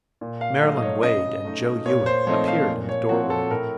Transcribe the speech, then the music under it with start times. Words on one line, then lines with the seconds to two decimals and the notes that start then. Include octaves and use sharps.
Marylyn Wade and Joe Ewing appeared in the doorway.
0.21 A#2
0.41 F5
0.62 F#3 A3 D#4 D#5
0.77 D#5
0.82 C#5
1.03 C#3 D#5
1.45 A3 D#4
1.85 A#2 C#5
2.06 C5
2.27 F3 A3 C4 D#4 C#5
2.47 F5
2.68 A#2
2.89 C#5
3.09 F3 C4 F#4
3.30 A4
3.50 A2 A#4